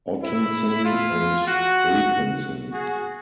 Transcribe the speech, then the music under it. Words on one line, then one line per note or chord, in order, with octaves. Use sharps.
Ottensen and Apensen.
E4
F4
F#4
F#4 G#4